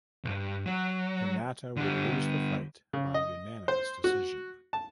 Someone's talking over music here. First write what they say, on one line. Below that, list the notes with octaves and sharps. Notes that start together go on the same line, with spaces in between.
Hinata would lose the fight by unanimous decision.
B1 G2
F#3
D3 G3
C#3
D#5
C5
F#4
A5